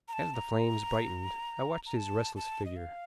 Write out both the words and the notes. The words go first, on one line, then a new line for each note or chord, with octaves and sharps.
As the flames brightened I watched his restless figure.
A#5
A5
A#5
A#5
A5
A5
D#5
F5